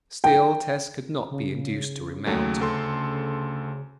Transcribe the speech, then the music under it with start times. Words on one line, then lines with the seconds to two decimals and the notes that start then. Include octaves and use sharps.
Still Tess could not be induced to remount.
0.24 G5
1.31 C#3
2.27 D#2 F#3 A3
2.60 D2 A4 C6